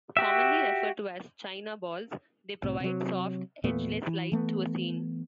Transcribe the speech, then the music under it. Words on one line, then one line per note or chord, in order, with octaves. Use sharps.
Commonly referred to as "China balls", they provide soft, edgeless light to a scene.
F#4 G4 E5
C2 A2 C3
C3 F#3
E2 A#2 A3 B3
E3
E3 A3 B3